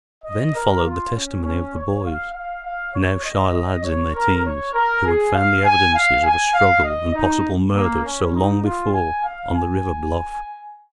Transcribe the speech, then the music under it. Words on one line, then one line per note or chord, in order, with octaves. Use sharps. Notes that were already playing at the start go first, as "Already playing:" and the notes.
Then followed the testimony of the boys--now shy lads in their teens, who had found the evidences of a struggle and possible murder so long before on the river bluff.
D#5
A#4
F4
C#4
C#4
C#5
F5
F5
F5
C#5
D#5
D#5
C#5
A#4
C#5
A#4
G#4
F5
G#5
F5
G#5
F5
D#5
D#4
A#3
C#4
D#4
F4
G#5
F5
G#5